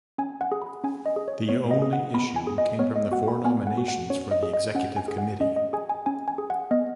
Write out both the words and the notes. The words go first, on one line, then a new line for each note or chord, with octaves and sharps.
The only issue came from the four nominations for the executive committee.
C#4 G#5
F#5
G#4
B5
C#4 G#5
D#5
G#4
C#5
B3 C#5
D#5
G#4
F#5
B3 B5
G#5
G#4
D#5
B3 C#5
D#5
F#4 F#5
B5
B3 G#5
F#5
F#4
F#5
C#4 C#5
D#5
G#4
D#5
C#4 F#5
G#5
G#4
F#5
C#4 D#5
D#5
G#4 G#5
G#5
C#4 G#5
G#5
G#4
F#5
B3 D#5